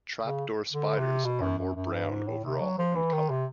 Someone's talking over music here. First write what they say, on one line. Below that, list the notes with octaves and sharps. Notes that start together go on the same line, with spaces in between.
Trapdoor spiders are more brown overall in colour.
C#3
D3
C3
B2
F#2
F#2
F#2
G2
G#2
A2
C3
F#3
F3
E3
D#3
C3